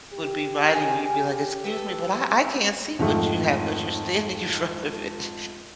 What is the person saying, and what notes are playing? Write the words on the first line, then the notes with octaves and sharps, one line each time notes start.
would be writing and you'd be like, "Excuse me, but I I can't see what you have, 'cause you're standing in front of it."
G4
C#4 G#4 A#4
A4 B4
F2 G#2 D#3 A3